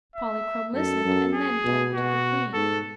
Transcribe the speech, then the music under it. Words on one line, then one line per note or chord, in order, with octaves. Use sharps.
Polychrome listened and then turned to the Queen.
E5
F#2 A4
F#2
G#4
B2
B2 F#4
G#2 A4